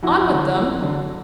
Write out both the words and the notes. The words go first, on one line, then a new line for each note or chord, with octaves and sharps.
On with them!
F2 E4 F#4
D3 F#3
F2
D3 F#3